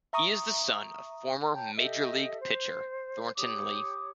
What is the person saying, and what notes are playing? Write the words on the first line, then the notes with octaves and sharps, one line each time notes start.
He is the son of former major league pitcher Thornton Lee.
E5 A#5 C#6 D#6
C#5 G5 A5 A#5
G4 A4 D#5 E5
C5
G4 C#5 D6 D#6